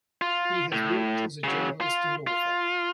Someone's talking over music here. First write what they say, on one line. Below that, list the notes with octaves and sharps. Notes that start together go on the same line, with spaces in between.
He has worked as a journalist and author.
F4
A2
C#3 F#3
F4
F4